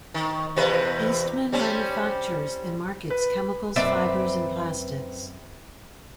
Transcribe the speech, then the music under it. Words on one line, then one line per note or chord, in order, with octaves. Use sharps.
Eastman manufactures and markets chemicals, fibers and plastics.
D#3
E2 C3 B4
G3 C4 C#4
B4
F#2 C4 B4 D5 E5